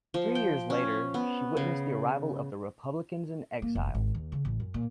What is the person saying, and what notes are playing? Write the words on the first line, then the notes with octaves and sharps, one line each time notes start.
Three years later she witnessed the arrival of the Republicans in exile.
F3
G5
C#4
B3
C#3
A#3
F1
G#1
D#2
C#3
A1
F#2
A#2